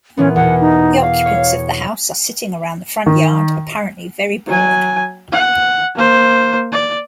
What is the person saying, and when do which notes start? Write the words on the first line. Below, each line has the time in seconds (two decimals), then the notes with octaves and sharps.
The occupants of the house are sitting around the front yard apparently very bored.
0.17 A#2 E3 B3 C#4
0.36 E2 B2 F#5
0.61 D#4
1.01 F5
1.26 C#5
3.06 D#3
4.47 F#3 G#5
5.32 F#5
5.96 A#3 C5
6.72 D5